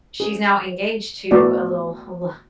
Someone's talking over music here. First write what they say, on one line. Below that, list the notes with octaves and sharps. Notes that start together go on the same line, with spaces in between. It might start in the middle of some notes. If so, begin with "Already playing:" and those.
she's now engaged to a little a li
G#4
A3 B3 F#4 D5